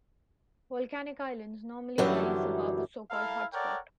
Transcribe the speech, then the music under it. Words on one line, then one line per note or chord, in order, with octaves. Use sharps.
Volcanic islands normally arise above a so-called hotspot.
F#2 D3 E3 F#3 G3 A5
E4 A4 A#4 F5
A4 A#4 C#5 D5 F#5 G5